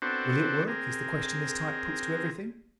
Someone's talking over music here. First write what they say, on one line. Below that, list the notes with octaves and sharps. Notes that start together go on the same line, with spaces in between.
"Will it work?" is the question this type puts to everything.
B3 C4 D4 F#4 A4 C5
C4 G#4 A#4